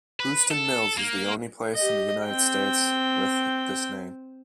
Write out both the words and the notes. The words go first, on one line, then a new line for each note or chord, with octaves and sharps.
Bruceton Mills is the only place in the United States with this name.
B4
A4
A#3
G4 D#5
C4 G5